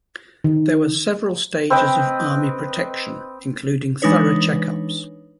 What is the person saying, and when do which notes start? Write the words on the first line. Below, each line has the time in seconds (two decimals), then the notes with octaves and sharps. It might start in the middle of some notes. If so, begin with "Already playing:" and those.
There were several stages of army protection including thorough checkups.
0.44 D#3
1.70 C4 B4 D#5 G5
4.02 E3 G#3 D4 D#4 B4 C#5